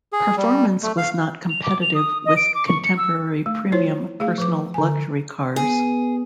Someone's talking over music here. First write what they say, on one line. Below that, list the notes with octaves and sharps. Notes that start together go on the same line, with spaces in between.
Performance was not competitive with contemporary premium personal luxury cars.
G#4
G3
A3
F5
F7
D6
F7
D#6
D#5
D7
D6
C#6
C#7
E6
A3
E4 F4 C5 C#5
A3 G#4 F5
F3 B4 D6
D3 G#5
B3 G#4